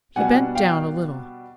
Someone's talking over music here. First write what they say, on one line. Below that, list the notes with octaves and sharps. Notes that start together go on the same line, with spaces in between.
He bent down a little.
B2 G3 B3 D4 F#5 G#5
F5 G5